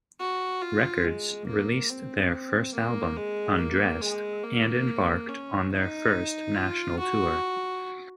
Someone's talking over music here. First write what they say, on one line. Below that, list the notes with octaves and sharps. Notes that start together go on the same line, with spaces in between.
Records, released their first album, "Undressed", and embarked on their first national tour.
F#4
F4
G#3
A#3
C4
A#3
G#3
A#3
G#3
A#3
C#4
D#4
F4
F#4